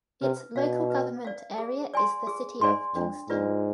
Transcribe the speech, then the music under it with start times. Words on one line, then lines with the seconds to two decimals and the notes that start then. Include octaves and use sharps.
Its local government area is the City of Kingston.
0.22 C3 B4
0.56 B2 D5 F5
0.90 B4
1.25 D5 F5
1.58 G#4
1.94 D5 G#5 C6
2.27 G#4
2.61 G#2 D5 G#5 C6
2.95 F2 D4
3.30 G#2 F4 B4 D5